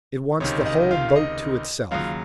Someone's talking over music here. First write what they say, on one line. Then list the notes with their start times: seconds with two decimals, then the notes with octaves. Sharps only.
It wants the whole boat to itself.
0.40 C#2 C3 D#3 C#5
0.66 D#5
0.81 D#5
0.91 F4 F5
1.09 F5
1.16 D#5
1.91 D#2 C#3 F#3 F4 F5